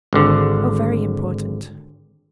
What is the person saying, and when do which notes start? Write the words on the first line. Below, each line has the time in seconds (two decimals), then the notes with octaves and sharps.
"Oh! very important."
0.13 G#1 D3